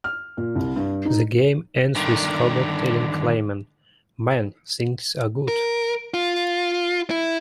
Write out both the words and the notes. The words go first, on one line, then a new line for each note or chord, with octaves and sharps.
The game ends with Hoborg telling Klaymen "Man, things are good".
F6
A#2
C2
G2
D#4
G2 D3 D#3
A#4
F4
E4